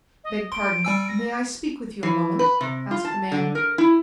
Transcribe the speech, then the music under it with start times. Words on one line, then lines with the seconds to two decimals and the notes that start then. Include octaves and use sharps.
"Beg pardon; may I speak with you a moment?" asked the man.
0.24 D#5
0.52 C6 D7
0.85 G3 G#5 E6
1.08 A#6
2.03 E3
2.39 B4
2.61 C3
2.91 F4
3.05 A5
3.32 D3
3.55 A#4
3.78 E4